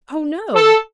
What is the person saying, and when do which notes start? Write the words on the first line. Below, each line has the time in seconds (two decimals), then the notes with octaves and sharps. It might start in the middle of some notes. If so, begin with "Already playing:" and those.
"Oh no!"
0.54 A4